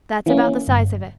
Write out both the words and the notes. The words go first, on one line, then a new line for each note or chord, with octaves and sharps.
"That's about the size of it."
E3 A#3 C#4
G1